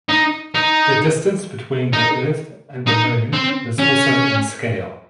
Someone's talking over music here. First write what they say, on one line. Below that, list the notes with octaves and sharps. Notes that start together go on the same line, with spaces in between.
The distance between the Earth and the Moon is also in scale.
D#4
D#4
D#4
D#4
C4
C#4